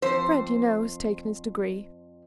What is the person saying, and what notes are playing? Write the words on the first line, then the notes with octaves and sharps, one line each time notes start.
Fred, you know, has taken his degree.
F2 C5